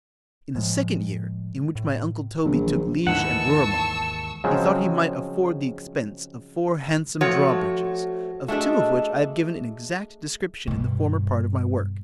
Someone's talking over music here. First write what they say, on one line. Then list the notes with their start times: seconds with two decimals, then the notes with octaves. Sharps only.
In the second year, in which my uncle Toby took Liege and Ruremond, he thought he might afford the expence of four handsome draw-bridges; of two of which I have given an exact description in the former part of my work.
0.55 A2 F3 G#3
1.75 A2
2.45 A#1 D#3 E3 F#3
3.07 D#2 G#2 E3 F#5 A5 C#6 E6
4.44 C#3 F3 F#3 G#3 C4
7.21 F3 A3 F#4 C#5
8.48 G#3 A3 D4 F#4 E5
10.67 G2 B2